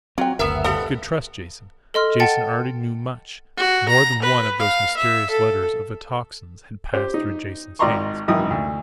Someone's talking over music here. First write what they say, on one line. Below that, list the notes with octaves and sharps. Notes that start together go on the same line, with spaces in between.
He could trust Jason; Jason already knew much--more than one of those mysterious letters of the Tocsin's had passed through Jason's hands.
F#3 C4 F4 G5
F#1 D2 B3 A#4 E5
F3 G3 B3 A4
A4 D#5 C6 F6
F#5 G5 A5 A6 C#7
F#4
A#5
B4
F5
E5
A4
G4 C5
D#4
G#1 D5 D#5 A#5 C6 C#6
G#1 F#2 E3 E4 D#6
D2